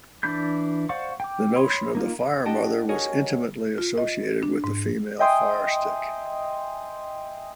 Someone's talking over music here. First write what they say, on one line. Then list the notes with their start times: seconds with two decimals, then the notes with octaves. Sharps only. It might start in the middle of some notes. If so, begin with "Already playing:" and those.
The notion of the fire-mother was intimately associated with the female fire-stick.
0.23 E3 D4 D5 B5 G6
0.89 C5 D5 F5 F#5 C#6
1.20 G5 D6
1.55 C#5 B5 C6 D#6
1.95 A#3 D#4 F4
2.45 D4 G4 D#5 F#5 G5 A5
2.89 F#4 G#4 A#4 C#5 D#5 G#5
3.78 F4
3.98 D#5
4.43 D4
4.64 G#2
5.19 D#5 E5 G5 G#5 C6 D#6